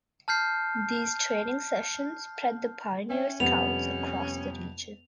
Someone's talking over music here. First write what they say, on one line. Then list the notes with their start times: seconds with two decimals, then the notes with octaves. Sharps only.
These training sessions spread the Pioneer-Scouts across the region.
0.28 A5 F6 G6 C7
3.10 C#4 C#5 E5 G5
3.40 F2 C3 G3 B3 F7